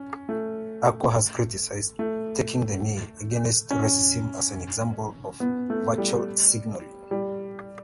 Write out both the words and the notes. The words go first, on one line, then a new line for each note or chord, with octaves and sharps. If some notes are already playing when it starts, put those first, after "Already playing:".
Akua has criticised "taking the knee" against racism as an example of virtue signalling.
Already playing: C#4
A3
A3
C#4
B3
A3
G3
G3